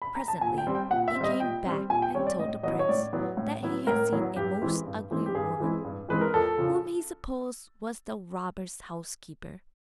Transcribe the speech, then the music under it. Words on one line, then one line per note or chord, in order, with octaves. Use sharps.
Presently he came back and told the prince that he had seen a most ugly woman, whom he supposed was the robbers' housekeeper.
B5
A#5
A5
A#2 G#5
G5
G3 C4
G5
A#2 F#5
E5
C4
G3 D#5
A#2 G5
G3 C4
A#2 G#5
G5
G3 C4 C#5
D5
A2 D#5
F#3 B3 E4 D#5
C#5
A2 D5
F#3 B3 E4
A2
F#3 B3 E4
A2 A#4
F#3 B3 E4
G2 G4
E3 G#3 C4 E4
G2
E3 G#3 C4 E4
G4
G2 G#4
E3 G#3 C4 E4
G2
E3 G#3 C4 E4 B4
A#4
F2 A4
C#3 F3